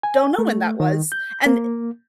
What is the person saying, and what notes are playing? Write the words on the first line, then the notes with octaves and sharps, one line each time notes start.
don't know when that was, and,
G#5
A3
D#3
G6
A#3